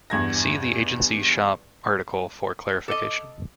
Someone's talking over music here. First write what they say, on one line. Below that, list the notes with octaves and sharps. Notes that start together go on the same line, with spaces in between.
See the Agency shop article for clarification.
E2 G2 G#6 A#6
A4 D#5 D6